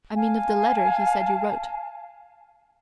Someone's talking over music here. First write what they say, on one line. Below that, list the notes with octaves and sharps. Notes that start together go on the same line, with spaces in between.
"I mean of the letter he said you wrote."
F5 G#5 A5